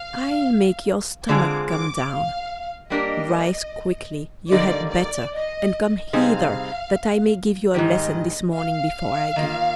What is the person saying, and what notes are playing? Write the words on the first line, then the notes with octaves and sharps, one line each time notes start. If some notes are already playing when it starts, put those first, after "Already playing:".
I'll make your stomach come down; rise quickly, you had better, and come hither that I may give you a lesson this morning before I go.
Already playing: F5
D3 G#3 C4 F4 G#4 D6
D6
F5
G3 A#3 D4 G4 A#4 D#5
D3 G3 A#3 D#4 D5
D5
D#5
C3 G3 C4 D#4 G#4 F5
G#2 D#3 G3 D#5
F5
D#3 A#3 F4